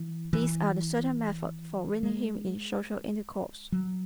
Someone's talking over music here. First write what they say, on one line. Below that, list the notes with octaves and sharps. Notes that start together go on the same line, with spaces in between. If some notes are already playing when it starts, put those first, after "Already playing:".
These are the certain methods for winning him in social intercourse.
Already playing: E3
E3
G#3
F#3